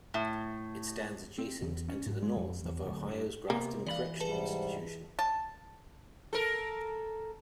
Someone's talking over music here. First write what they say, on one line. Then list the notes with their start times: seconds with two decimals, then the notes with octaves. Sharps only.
It stands adjacent and to the north of Ohio's Grafton Correctional Institution.
0.14 A2
1.38 C4
1.62 E2
1.88 C#4
2.06 G#2
2.22 G#3
2.36 F2
2.65 E2
2.86 D1
3.08 G2
3.50 C3 A#3 B3
3.87 E3 D5 F5 B5
4.20 G#2 C3 G3 G#4 B4 A5
5.19 A5
6.33 A4 A#4